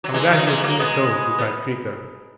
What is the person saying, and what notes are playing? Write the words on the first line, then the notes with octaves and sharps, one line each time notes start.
"I'm glad you think so," replied Creaker.
F#3
E3 G#3
D#3 F#3
E3 G#3
F#3 A#3
G#3 B3
B3